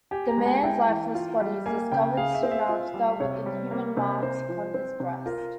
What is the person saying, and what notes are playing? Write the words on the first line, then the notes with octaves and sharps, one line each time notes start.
The man's lifeless body is discovered soon after with inhuman marks upon his breast.
G4 G#5
A#5
G#3
G#5
E4 G5
E3
F4
G3
A#3 G#5
C#3 G5
G#4 F5
E5
C4
E5
F4
G3
C3 C#5
G3
A#3
C3
C3 C5
F3
C4
C3
F4 A#4